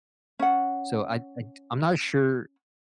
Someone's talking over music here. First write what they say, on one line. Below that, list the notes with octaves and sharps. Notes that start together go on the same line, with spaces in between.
So I I t I'm not sure.
C#4 F#5